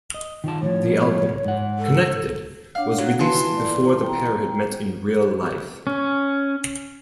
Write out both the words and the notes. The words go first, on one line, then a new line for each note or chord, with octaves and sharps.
The album, "Connected", was released before the pair had met in real life.
D#5
D#3 F4 A5
A2 F3 C#5
G#2 F#5
A4
D4 C#5 F5 F#5
F#3 F#4
E3 F4 A4
D5
G5 A#5
C#4